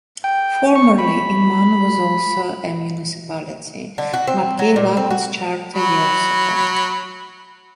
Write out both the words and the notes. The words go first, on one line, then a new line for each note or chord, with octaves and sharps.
Formerly, Inman was also a municipality, but gave up its charter years ago.
G5
C#6
B5
D3
F#4
C4
F#3
A#2
C4
F#4
F#3 B5